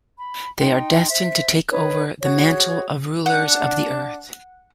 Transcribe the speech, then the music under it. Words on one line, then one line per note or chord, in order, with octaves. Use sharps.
They are destined to take over the mantle of rulers of the Earth.
B5
D#4 G5 C6
C5 E5
D#4 B4 C#5
F#4 G#4 C#5
D4 F#5